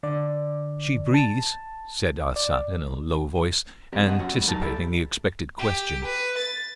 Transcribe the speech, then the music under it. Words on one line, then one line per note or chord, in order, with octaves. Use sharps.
"She breathes," said Arsat in a low voice, anticipating the expected question.
D3 D5
A5
D5
F2 C3 G4 A#4 D5
C3 D#5 F#5
F#3 C#4 F#4
A2 G3
F#3 D#4 A#4 A5
E4 G4 A4 D5
G4
B4
A6